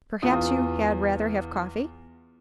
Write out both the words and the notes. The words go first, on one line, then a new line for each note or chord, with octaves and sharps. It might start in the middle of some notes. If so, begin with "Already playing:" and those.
"Perhaps you had rather have coffee?"
E2 F4 D#6